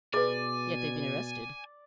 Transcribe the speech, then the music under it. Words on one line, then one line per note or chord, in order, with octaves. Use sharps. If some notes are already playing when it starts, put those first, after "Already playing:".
"Yet they've been arrested?"
B2 G#4 B4 D5 G#5